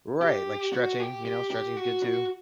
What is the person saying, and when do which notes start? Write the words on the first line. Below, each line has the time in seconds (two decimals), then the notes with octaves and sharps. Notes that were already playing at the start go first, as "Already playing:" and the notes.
Right, like stretching, you know, stretching is good too.
0.21 G4
0.73 F#4
0.99 G4
1.25 G4
1.51 G4
1.77 F#4
2.03 F#4